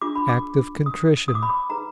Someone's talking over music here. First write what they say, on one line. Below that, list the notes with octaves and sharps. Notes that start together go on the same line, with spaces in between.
Act of Contrition.
D4 F4 G#4 D6
B5
D6
D#6
D#6
D6
B5
D6
D#4 G#4 B4 A#5